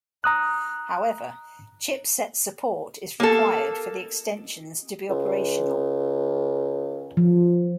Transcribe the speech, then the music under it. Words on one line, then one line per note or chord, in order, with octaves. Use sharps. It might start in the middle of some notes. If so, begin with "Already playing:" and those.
However, chipset support is required for the extensions to be operational.
A#5 D#6 F#6
A#3 A4
C#2
F3